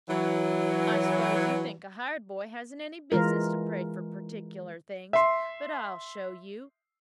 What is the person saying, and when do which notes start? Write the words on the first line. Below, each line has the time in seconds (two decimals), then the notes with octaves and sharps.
I s'pose you think a hired boy hasn't any business to pray for particular things, but I'll show you.
0.09 E3 F#3
3.12 E3 G#3 F4 A#4
5.13 E5 C6